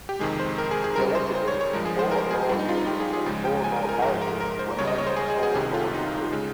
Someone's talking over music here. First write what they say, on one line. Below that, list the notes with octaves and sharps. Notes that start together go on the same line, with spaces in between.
Collectively, poor law unions and poor law parishes were known as poor law districts.
G4
F2 C3 D#3 G#3 G#4
C5
A#4
G#4
G#4
C#2 C#3 G3 A#4
C5
C5
C#5
C#5
G2 F3 G#3 A#4
G#4
C5
A#4
G#4
G2 G3 F4
D#4
F4
D#4
G4
G#4
G#4
C#2 C#3 F3 G#3
G5
G#5
A#4
A#4
G#2 F3 G#3 A#4
A#4
A#4
C5
C#2 C#3 G3 C#5
D#5
C#5
C5
G#4
G#4
G#4
C2 C3 D#3 G4
F4
D#4
C#3 G#3